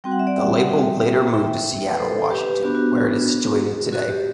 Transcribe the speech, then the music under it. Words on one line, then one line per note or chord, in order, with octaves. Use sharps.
The label later moved to Seattle, Washington where it is situated today.
G3 C4 F#4 G5
F#5
E5
D5 F#5
E5 G5
F#5
E5 G5
E5 G5
B4
A4 C5
G4 B4
B3 D4 F#4 G4
F#4
F#4
F#4
G4